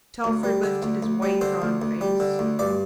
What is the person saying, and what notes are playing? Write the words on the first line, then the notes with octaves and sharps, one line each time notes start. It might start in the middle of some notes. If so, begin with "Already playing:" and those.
Telford lifted his white, drawn face.
D2
G3
D3
D2
D2
G3
D3 C5
D2
D2
G3
D3
D2
G2 D5